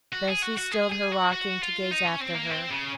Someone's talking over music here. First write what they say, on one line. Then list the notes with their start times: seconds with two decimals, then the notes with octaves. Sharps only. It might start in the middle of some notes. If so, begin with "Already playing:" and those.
Bessy stilled her rocking to gaze after her.
0.13 F#4
0.28 G#4
0.43 F#4
0.58 F#4
0.72 G#4
0.92 G#4
1.12 F#4
1.32 F#4
1.62 F4
1.91 D#4
2.06 C#4
2.21 C4
2.35 A#3
2.51 C4
2.71 C#3